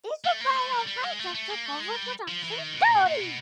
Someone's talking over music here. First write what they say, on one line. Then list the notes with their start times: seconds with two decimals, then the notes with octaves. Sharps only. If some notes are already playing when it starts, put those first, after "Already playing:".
Eusebio Pacha took over production duties.
0.25 A3
0.41 A#3
0.56 A3
0.72 G3
0.87 G3
1.03 G#3
1.19 A3
1.35 A3
1.50 A#3
1.66 A3
1.80 G#3
1.96 G3
2.28 F3
2.43 E3
2.59 D#3
2.74 B2
2.89 A#2
3.06 A#2
3.20 B2